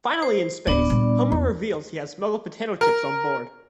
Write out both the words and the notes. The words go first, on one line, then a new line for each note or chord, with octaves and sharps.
Finally in space, Homer reveals he has smuggled potato chips on board.
C5
D1 F3 B3 D4 D5
A#2 G3
E2
A#4